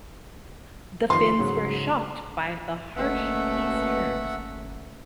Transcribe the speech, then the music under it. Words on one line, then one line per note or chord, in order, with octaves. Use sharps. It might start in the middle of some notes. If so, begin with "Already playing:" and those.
The Finns were shocked by the harsh peace terms.
D#3 F3 C6 C7
G#2 C#3 F#3
G1 B2 A3 A#3 C#4 E5 F#5